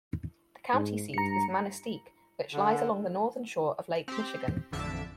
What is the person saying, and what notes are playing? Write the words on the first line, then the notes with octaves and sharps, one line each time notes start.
The county seat is Manistique, which lies along the northern shore of Lake Michigan.
G#2
G2 A#5 C#7
D3
C4 G4
A1 F2 D3 E5 A5 D7